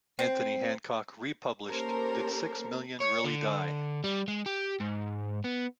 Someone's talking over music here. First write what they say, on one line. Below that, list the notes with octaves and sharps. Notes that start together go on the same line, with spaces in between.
Anthony Hancock re-published Did Six Million Really Die?
C4
A#3 C#4 G4 A4 A#4 C5
C#5
D3
G3
G#3
G4
G#2
B3